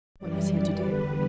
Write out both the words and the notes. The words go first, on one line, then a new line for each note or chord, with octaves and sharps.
What was he to do?
F#2 E3 G3 D5
D5
E2 D3 G3 B4